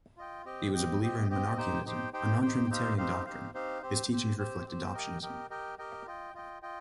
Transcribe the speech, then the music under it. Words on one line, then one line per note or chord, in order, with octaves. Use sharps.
He was a believer in monarchianism, a nontrinitarian doctrine; his teachings reflect adoptionism.
F4 D#5 G5
C4 G4 D#5 G5
C4 G4 D#5 G5
C4 G4 D#5 G5
C4 G4 D#5 G5
D#4 G4 C5 G5
D#4 G4 C5 G5
D#4 G4 C5 G5
D#4 G4 C5 G5
C4 D#4 G4 C5 F5
C4 D#4 G4 C5 F5
C4 D#4 G4 C5 F5
C4 D#4 G4 C5 F5
C4 G4 C5
C4 G4 C5
C4 G4 C5
C4 G4 C5
G4 A#4 D#5 G5
G4 A#4 D#5 G5
G4 A#4 D#5 G5
G4 A#4 D#5 G5
F4 D#5 G5
F4 D#5 G5
F4 D#5 G5